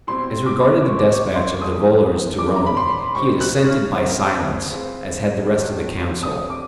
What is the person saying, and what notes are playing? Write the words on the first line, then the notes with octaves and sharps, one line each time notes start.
As regarded the despatch of the volors to Rome, he had assented by silence, as had the rest of the Council.
B2 G3 C4 E4 C6
D6
G3 C4 E4 C#6
D6
C#6
C6
C#3 E3 A3 C#4 D#6
D#3 G#3 C#4 D6
A#5
B5
C6
A#3 D#4 G4 C5 C#6
F#6
F6
C4 E4 G4 A#4
C4 F4 G#4 B4
D#3 F#3 A3 D4 G4
C3 F3 A3 D4 D#6
D6